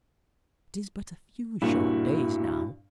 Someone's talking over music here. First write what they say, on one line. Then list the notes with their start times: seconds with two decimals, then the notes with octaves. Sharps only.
It is but a few short days now.
1.62 G2 A#2 E4 F#4